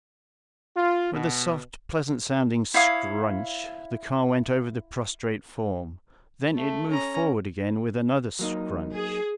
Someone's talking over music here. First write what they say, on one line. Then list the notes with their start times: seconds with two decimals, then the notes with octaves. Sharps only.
With a soft, pleasant-sounding scrunch the car went over the prostrate form, then it moved forward again with another scrunch.
0.77 F4
1.13 B2
2.74 E4 C#5 F5 D#6
6.56 A3
6.90 C#4 A#5
8.39 F#3 A#3 D#4
8.95 G#4